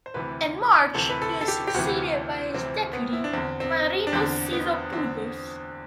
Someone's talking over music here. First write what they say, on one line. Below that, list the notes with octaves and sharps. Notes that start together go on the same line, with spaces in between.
In March he was succeeded by his deputy Marinos Sizopoulos.
C5
D2 C3 E3 B4
D2 C3 E3 A4
B4
A4
A4
G4
G4
D2 C3 E3 F#4
D2 C3 E3 C4
B3
E4
D4
E2 D3 C4
C4
D4
E2 D3 C4
B3
E2 D3 C4